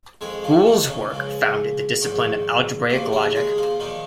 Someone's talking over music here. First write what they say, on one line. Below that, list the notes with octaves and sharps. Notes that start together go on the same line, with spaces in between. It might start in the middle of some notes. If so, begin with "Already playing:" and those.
Boole's work founded the discipline of algebraic logic.
F2 D#3 G#3 G#4
F3 F4
D#3 D#4
C#3 C#4
C#2 C#3 F3
A#1 G#2 D#3
D#2 C#3 F3 A#3
A#3 A#4
G#3 G#4
F3 F4
A#2 D#3 F3 D#4